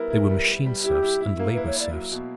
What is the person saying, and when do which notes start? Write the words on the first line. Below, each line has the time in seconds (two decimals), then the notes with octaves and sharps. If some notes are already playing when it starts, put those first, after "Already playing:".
They were machine-serfs and labor-serfs.
Already playing: G3 B3 E4 A#4
0.10 E4
0.29 G3
0.48 G3
0.66 G3
0.84 E4 G4
1.03 E4
1.21 E4
1.39 A#3 A#4
1.53 E4 B4
1.67 C#5
1.76 E4 D5
1.93 F#3
2.12 B2